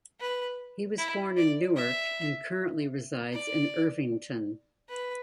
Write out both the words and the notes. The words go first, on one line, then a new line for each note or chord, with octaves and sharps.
He was born in Newark, and currently resides in Irvington.
B4
E4
D5
E5
D5
B4